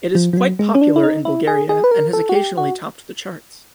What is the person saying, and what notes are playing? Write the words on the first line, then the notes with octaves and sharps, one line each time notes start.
It is quite popular in Bulgaria, and has occasionally topped the charts.
F3
F3
F#3
G#3
C#4
D4
E4
D#4
E4
G#4
G#4
B4
A#4
A4
F#4
G4
F#4